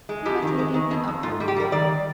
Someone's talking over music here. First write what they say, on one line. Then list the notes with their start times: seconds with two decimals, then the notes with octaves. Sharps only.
He had taken the up-river road.
0.09 G#3
0.25 F2 G4
0.42 D#3
0.59 G#3
0.74 D#3
0.91 F2
1.08 F2
1.23 G#2 F4
1.40 G3
1.48 G4
1.57 G3 A#4
1.72 D#3 D5